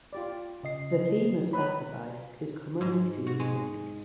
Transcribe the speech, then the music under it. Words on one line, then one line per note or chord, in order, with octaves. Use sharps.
The theme of sacrifice is commonly seen in the piece.
F4 G4 D5
C#3 D#5 C7
D#4 B4 C#5 B5
G#2
F#4
G#3